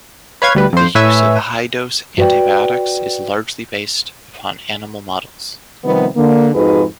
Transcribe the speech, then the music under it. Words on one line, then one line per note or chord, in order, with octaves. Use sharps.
The use of high-dose antibiotics is largely based upon animal models.
B4 C#5 F5 G#6
D2 G3 B4
F2 C5
A2 B4 C#5 E5 G#5 E6
F#4 B4 C#5 D5 G5
C3 D#3 F3 G3 B3
D3 A#3
F2 G#2 D#4 F#4 G#4 B4